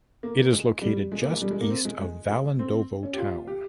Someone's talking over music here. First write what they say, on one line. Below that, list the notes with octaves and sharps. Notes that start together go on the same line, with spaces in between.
It is located just east of Valandovo town.
A#3
G#3
G3
G#3
A#3
G#3
G3
G#3
A#3
C4
G#3
G#3
G#3
C4
C#4
G4
F4
G4